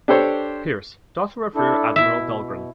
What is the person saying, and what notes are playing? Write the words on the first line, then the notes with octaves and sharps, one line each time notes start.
Pierce, daughter of Rear Admiral Dahlgren.
D4 G4 A4 C5 C#5
D4 E4 A4
B2 E4 E5